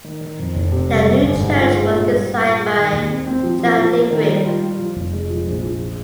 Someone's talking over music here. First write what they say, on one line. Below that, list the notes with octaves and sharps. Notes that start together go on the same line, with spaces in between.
The new church was designed by Jan de Greef.
D#3
D#3
F2
F1
C3
G3
G2
G1
G#2
F4
G#3
A#2
G3
G3
A#2
G#4
D#3
D#2
C4
C4
F3
F3
F3
A#3
D#3
G3
F4
G3
F3
F1
G#3
F3
A#1
F3